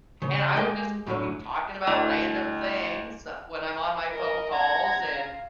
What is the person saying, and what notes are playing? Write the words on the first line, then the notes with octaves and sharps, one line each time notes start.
and I would just keep talking about random things when I'm on my phone calls and
C#3
G#3 G4 D#5 G5 G#5
F#2 A2 D3 D#3 F#3
D2 E4 D#5 G5
A#4 D#5
F#5 A#5 G#6
F5